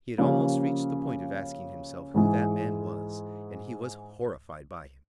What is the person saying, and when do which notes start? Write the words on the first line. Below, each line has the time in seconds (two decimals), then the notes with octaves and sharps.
He had almost reached the point of asking himself who that man was, and he was horrified by him.
0.18 C#3 F3 A#3 C#4 G4
2.14 G#2 E3 G#3